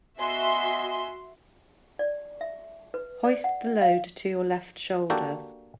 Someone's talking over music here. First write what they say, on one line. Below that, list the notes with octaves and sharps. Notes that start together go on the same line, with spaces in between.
Hoist the load to your left shoulder.
B3 F#4 D#5 E5 G#5 C6
D5
E5
B4
D5
F#5
F5
A#3 D4 F#4 G4 A4